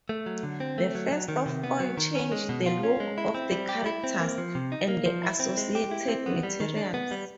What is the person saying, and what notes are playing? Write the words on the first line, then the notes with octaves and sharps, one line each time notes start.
They first of all changed the look of the characters and the associated materials.
A3
F#3
D3
C4
A3
F#3
F#3
D#3
C3
B3
F#3
D#3
C#4
G#3
B2
F4
C#4
G#3
E4
C4
G3
G4
E4
C4
A#3
F3
C3
D#4
A#3
F3
E4
C4
G#3
G4
E4
C4
B3
G3
D#3
D4
B3
G3